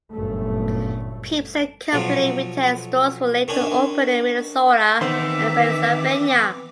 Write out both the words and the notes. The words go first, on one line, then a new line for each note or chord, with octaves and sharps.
Peeps and Company retail stores were later opened in Minnesota, and Pennsylvania.
G1 F#2 A#2 A3
B1 F3 F#3
D#3 C#4 D4 G#5
D#3 E3 B3 C4 C5 E5 C6 D6